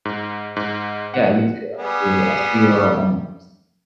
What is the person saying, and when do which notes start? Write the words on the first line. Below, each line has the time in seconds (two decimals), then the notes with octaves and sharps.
Yeah, you too, I'll see you I'll see you, uh, on the flip side.
0.05 G#2
0.56 G#2
1.14 F#5
1.77 G3 B3 G#4